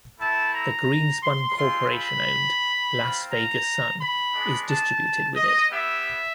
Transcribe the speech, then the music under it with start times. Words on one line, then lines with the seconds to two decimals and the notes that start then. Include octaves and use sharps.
The Greenspun Corporation-owned "Las Vegas Sun" is distributed with it.
0.19 A3 C4 E4 A5
0.53 A#5
1.23 C6
1.57 G#3 C4 F4 C6
1.91 B5
2.95 C4 F4
3.30 A#5
3.98 B5
4.33 G#3 B3 D4
4.67 A5
5.36 D#5
5.70 B3 E4 G4 E5